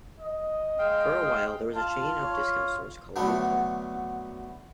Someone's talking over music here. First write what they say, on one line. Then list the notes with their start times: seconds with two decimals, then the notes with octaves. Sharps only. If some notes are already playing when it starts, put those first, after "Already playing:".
For a while there was a chain of discount stores called Woolco.
0.20 D#5
0.79 G#3 F5 G5
1.75 F4 A5
2.23 C#5
3.16 D3 F#3 A3 B3